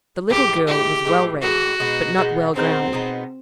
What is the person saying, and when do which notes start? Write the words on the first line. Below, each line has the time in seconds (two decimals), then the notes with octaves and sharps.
The little girl was well-read, but not well-grounded.
0.29 A2 E3 G#3 G4
0.67 A2 E3 G#3 G4
1.05 A2 E3 G#3
1.42 A2 E3 G#3 F#4
1.80 B2 G#3 B3 D#4
2.17 B2 G#3 B3 D#4
2.55 B2 G#3 B3 C4 D#4
2.93 B2 G#3 B3 D#4